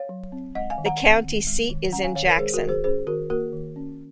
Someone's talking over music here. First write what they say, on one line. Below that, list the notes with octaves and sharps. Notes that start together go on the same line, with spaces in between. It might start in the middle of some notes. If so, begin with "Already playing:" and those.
The county seat is Jackson.
Already playing: C#5 F5
F#3
C4
G#3 D#5 F#5
F5 G#5
D#3
F#5 A#5
C4
D#3
G#3
D#3
C#4 F#5 A#5
F5 G#5
D#3 C#5 F5
A#4 C#5
G#3 G#4 C5
F#4 A#4
D#3
G#4 C5
C#4 G#4 C5
D#3 F#4 A#4
A#3 F#4 A#4
D#3
C#4